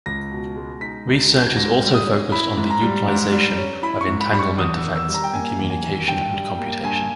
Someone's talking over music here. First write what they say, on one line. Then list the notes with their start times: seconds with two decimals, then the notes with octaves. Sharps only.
Research is also focused on the utilization of entanglement effects in communication and computation.
0.06 C#2 A#6
0.31 B2
0.56 G#3
0.81 D#4 B6
1.07 C#2
1.32 B2
1.38 G6
1.47 G#6
1.56 G#2 A#6
1.82 G3
1.94 D#6
2.07 C#4
2.32 E4 B5
2.57 G#2
2.70 A#5
2.83 G3
3.08 G#2
3.32 G3
3.58 C#4
3.83 E4 B5
4.01 C#6
4.08 G#2
4.20 B5
4.33 G3 B5
4.39 C#6
4.58 E2 D#6
4.77 E6
4.82 D#3
4.96 E6
5.08 G3
5.14 A#5
5.24 G5
5.33 A#3 G#5
5.59 E2
5.70 G#5
5.84 D#3
6.08 G2 G5
6.34 G3
6.59 A#3
6.84 G2 G#5